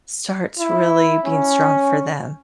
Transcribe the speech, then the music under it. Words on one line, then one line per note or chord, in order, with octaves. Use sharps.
starts really being strong for them.
E4
C#4